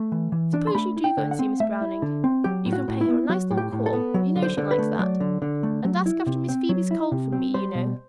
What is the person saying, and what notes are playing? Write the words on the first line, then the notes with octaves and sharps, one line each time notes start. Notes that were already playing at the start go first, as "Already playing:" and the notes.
Suppose you do go and see Miss Browning; you can pay her a nice long call, you know she likes that; and ask after Miss Phoebe's cold from me, you know.
Already playing: A3
E3
E3
D4
C6
A3 B5
E4
G5
D3
F#5
C4
A3 E5
E4
D3
C4
F#3 G4
A2
F#4
A2
E4
B3
F#3 F#4
A2
G4
A2
A4
B3
F#3
D3
C5
D3
B4
A3
F#3 D5
D3
D3
A3
F#3
E4
C3
C4
F#3
E4
C3
C4
G3 C5
B2